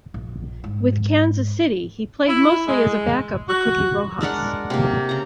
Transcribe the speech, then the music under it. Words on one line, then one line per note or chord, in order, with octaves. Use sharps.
With Kansas City, he played mostly as a backup for Cookie Rojas.
A#1
G#2
E4
G#3
F#4
G#3 D4 A#4 F#5
C3 A#3
C#3 A#5